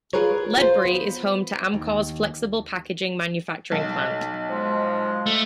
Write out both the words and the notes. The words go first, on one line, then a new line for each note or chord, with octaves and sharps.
Ledbury is home to Amcor's flexible-packaging manufacturing plant.
F4 G#4 A#4 B4 C#5
F4 C5
B3
D#2
B1
F3 G#3
A3